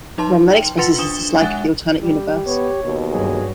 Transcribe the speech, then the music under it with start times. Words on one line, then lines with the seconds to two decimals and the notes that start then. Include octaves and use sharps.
Rom then expresses his dislike of the alternate universe.
0.18 F3 D#4 B4 A5 C6
0.51 G5
0.78 F4 B4 F#5 C6 A6 C#7
0.98 D4 D#6 E7 G7
1.40 G#3 E5 F#5 G#5 F#6 A6
2.02 G3 G4
2.46 B3 C#5
2.84 D#2 B2
3.12 G2 F#3 G#4